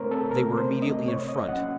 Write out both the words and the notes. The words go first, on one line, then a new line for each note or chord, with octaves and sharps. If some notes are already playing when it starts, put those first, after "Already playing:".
They were immediately in front.
Already playing: C#3 A3 C4 A#4 C5 C#5
A4
C#3 A#4
C5
A3 C4
D#5
C3 C#5
D#5
F#3 A#3 C#4 F#5